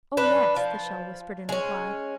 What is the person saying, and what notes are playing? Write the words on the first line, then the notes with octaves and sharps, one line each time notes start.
"Oh, yes!" the shell whispered in reply.
D4 B4
F3
G#3 C#4